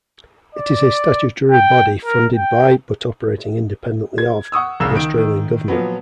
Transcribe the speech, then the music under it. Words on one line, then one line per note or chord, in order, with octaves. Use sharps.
It is a statutory body funded by, but operating independently of, the Australian Government.
D5
G5
A#4
G5
G#6
F#5 C#6 D#6 E6
F1 C2 C#3 E6 E7
D#3 D7
D#3
A#2 F3 F#3 B3